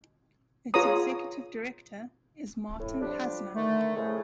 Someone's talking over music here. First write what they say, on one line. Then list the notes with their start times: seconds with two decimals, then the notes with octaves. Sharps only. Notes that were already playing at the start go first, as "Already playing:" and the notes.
Its executive director is Martin Hassner.
0.74 F4 G#4 B4 C#5 A#5 D#6
2.79 A2
3.00 F3 G3 D4 G4
3.55 D3 D#3 A3
3.95 A2 C#3 F3 G#3 A3